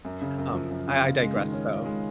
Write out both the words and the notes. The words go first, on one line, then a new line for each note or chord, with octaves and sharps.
um, I I digress, though,
F#2
C#3
F#2
F3
F#2
C#3
F4
G#3
D#3
C#4
F4
G#3